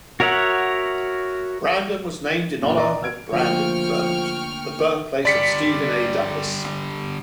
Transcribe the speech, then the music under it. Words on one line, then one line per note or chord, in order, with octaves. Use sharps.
Brandon was named in honor of Brandon, Vermont, the birthplace of Stephen A. Douglas.
F#4 A#4 C#5 E5 F#5
F#2 A#2 D4
A#4 D5 D#5 A#5 C6
E6 F6 G#6 D7
D3 F3 A3 A#3 G5 C#6 F6
D3 G3 D5 B6 C#7